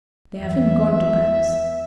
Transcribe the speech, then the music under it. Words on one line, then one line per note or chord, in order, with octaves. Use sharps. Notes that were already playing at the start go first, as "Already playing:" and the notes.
They haven't gone to Paris.
E2 E5